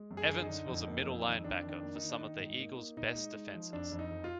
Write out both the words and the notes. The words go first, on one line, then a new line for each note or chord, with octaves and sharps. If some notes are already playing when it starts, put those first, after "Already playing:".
Evans was a middle linebacker for some of the Eagles best defenses.
Already playing: G#3
F#2
G#4
D3
D#4
D3
F2
A#3
F2
D#3
F2 D4
D#3
D4
A#3
D#4
D#3
D4
D#3 D#4
G#2
A#3
A#3
A#2 D#4
G#3
G#3
F3
F2 D4
F2
D#4
F2
F4